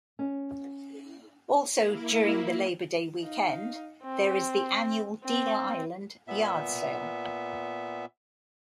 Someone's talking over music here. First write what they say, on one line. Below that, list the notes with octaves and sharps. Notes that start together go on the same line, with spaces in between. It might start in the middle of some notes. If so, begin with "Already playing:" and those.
Also, during the Labor Day weekend, there is the annual Deal Island yard sale.
C#4
A#3 E4
D#4 F5
C4
C4
A#2 B3 E5